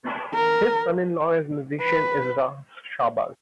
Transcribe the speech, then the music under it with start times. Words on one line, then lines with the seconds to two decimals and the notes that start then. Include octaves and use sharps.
His son-in-law is musician Ezra Schabas.
0.35 A#4
1.82 B4